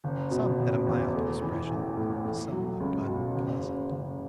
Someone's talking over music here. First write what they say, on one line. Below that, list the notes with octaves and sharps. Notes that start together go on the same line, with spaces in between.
Some had a mild expression, some looked unpleasant.
F#1
B2
F#1
E2
A3
E3
A1
A2
A3
F#3
C#2
B2
F#1
C#3
F#1